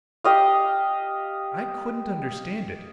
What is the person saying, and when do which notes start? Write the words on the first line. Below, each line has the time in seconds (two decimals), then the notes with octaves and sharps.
I couldn't understand it.
0.24 G4 D#5 F5